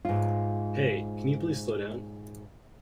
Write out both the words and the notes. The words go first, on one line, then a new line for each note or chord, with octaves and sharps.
Hey, can you please slow down?
G#2 F4